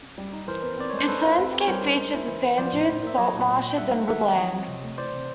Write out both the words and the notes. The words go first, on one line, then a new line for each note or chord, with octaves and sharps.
Its landscape features sand dunes, salt marshes and woodland.
G3
D#4
E3 A#4 C5
B3
C4 D5
G#3 C#5
C5
G#3 A4 B4
F4
C4
G4
C#5
G3 A#4 C5
D#4
G#3
E4
E3
B3
F3 C5 D5
A2
A2
A#3 E5
F#3 C#5 D#5
A#2
A#2
A#3
G5
G3 E5 F#5
D#4
D#3 E5 F#5
B3
F3 C#5 D#5
C4
C3
A3
E3 C5 D5
C3